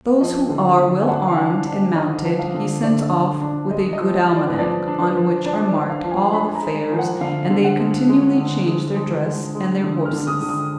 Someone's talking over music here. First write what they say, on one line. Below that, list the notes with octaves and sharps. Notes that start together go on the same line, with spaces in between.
Those who are well armed and mounted he sends off with a good almanac, on which are marked all the fairs, and they continually change their dress and their horses.
F3 D#5
D3
D3
G#5
D4 F#5
F5
D4 F#5
D4
D3 D#5
F3
F5
D3
D3 D5
D3
D4
G#3 D#5
D#5
F3
D#5
F3
D5
B4
F3 D5
D4
B4
F3
D4 D5
D5
D4
F5
F3
G#5
D4 B5
G#5
A#5
G#3
F3
F#5
D3 F5
D3
F#5
G#3
G#3
D3
G#3
G#3
G#3
G#3
D3
F6
D3
D#6
D3
D#6